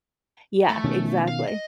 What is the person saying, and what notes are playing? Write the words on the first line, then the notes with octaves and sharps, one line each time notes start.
Yeah, exactly.
A3
B2 D#3 C#4
F5
D#5